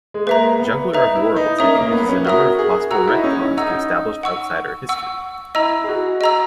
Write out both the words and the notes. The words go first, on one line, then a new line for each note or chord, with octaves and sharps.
"Juggler of Worlds" introduces a number of possible retcons to established Outsider history.
G#3
A#3 B4 E5 A#5
B3
D#4 B4 E5 A#5
E4
D#4
C#4 A#4 E5 A#5 D#6
A#3
B3
B3
C#4
F#4 A#4 E5 A#5 D#6
G#4
F#4 F#5 A#5 E6
E4
D#4
C#4
C#4
D#4 F#5 A#5 E6
F#5 C#6 E6
F#5 C#6 E6
E4 D#5 A#5 E6
G#4
F#4
D#5 A#5 E6